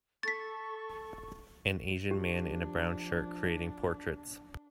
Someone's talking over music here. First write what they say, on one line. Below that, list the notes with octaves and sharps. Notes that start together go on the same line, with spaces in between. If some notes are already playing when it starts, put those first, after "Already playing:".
An asian man in a brown shirt creating portraits.
A4 C#6 A6 B6
F3 D4 G4